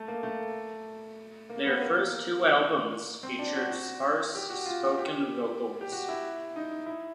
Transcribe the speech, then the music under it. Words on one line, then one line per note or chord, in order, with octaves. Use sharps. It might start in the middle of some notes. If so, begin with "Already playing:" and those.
Their first two albums featured sparse, spoken vocals.
Already playing: A3
A#3
A3
A#3
B3
A#3
C4
D4
F#4
F#4
G4
F#4
F4
G4
G4
F#4
E4
D#4
E4